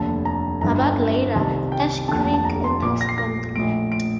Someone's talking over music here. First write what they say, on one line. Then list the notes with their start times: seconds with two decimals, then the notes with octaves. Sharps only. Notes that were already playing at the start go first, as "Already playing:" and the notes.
About later, Ash Creek enters from the left.
Already playing: F1 D#2 D3 A5
0.25 A#5
0.61 G1 G2 D3 A#5
1.35 C2 C3 D#3 A5
1.72 G5
2.08 F1 D#2 D3 A5
2.20 A5
2.34 A5
2.45 A#5
2.64 C6
2.82 A#1 A#2 D6
3.01 A#6
3.09 C7
3.18 A#6
3.55 A#1 A2 D7
3.92 D7